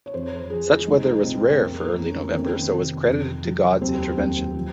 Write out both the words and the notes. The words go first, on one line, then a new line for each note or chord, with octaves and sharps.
Such weather was rare for early November, so was credited to God's intervention.
C#5
F2 C5
F3 G#4
F4
C2 D#4
A#2 C4
C4
F2 A#3
A#3
F2
C#4
D#3 C4
C3
F2
F#3
D#2 C4
D#2 C4
F3